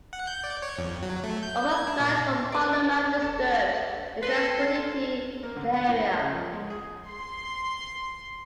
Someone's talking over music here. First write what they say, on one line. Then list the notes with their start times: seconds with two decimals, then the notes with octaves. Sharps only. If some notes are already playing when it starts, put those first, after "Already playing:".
Overflights from Holloman disturbed the tranquility of the area.
0.13 F#5
0.27 G6
0.44 D5
0.62 C#5
0.78 F2
1.03 F#3
1.24 A3
1.43 G6
1.71 G#6
1.87 D4
2.00 A#2
2.52 A#4 B4 D5
3.22 F1 A4
4.23 A4 B4 C6
5.43 A#3
5.56 D3
5.74 B3
5.89 A2
6.19 C#3
6.33 F3
6.53 G#3
6.70 G#4
7.07 C6